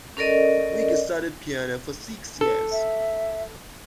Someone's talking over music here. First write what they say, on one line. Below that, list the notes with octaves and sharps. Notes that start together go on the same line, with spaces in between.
Vig studied piano for six years.
C#4 A4 A#4 D5 D#5
A4
E5